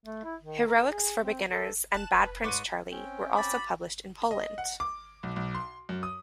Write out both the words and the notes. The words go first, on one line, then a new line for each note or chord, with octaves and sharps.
"Heroics for Beginners" and "Bad Prince Charlie" were also published in Poland.
A3
E4
D#3
A#4
G#4
C4
A4
F1 A5 F#6 E7
F1 B4
G#2 C#5 C6 D6 F#6 D#7
C4 C#4 G5
F#4 B5 D6 A6
D#5
F#5
D6
B1
B1
C6
F#2
D#6